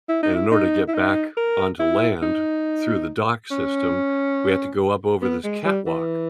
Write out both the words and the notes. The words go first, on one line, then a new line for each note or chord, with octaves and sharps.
and in order to get back onto land through the dock system, we had to go up over this catwalk,
E4
D#4
E4
D#4
E4
D#4
A#4
E4
D#4
C#4
B3
G#3
G3
E3